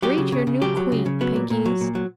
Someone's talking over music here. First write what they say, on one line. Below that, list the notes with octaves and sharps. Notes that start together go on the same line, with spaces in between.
"Greet your new Queen, Pinkies!"
F#3 G4
C#3
C#3
C#3
F#3 G4
F#3
C#3
C#3
F#3 B3
A#2
A#2
F#3
A#2
F#3